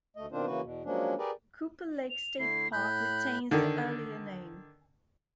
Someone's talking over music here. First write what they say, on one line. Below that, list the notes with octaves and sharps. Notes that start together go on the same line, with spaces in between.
Cooper Lake State Park retains the earlier name.
D2 A3 D#5
B2 D#3 C4 D4 F4 C5
C#3 E3 A#3 F#4 B4
E2 B2
F3 F#3 G#3 A#3 C#4 D4
G4 G#4 A#4 B4 D5
F7
D3 A3 E4 C7
A2 B5 F#6 G6
D3 D#3